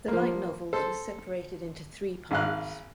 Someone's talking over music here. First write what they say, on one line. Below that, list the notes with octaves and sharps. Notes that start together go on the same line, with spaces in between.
The light novels were separated into three parts.
F3 A#3
A4 C5
G#1 F5 F#6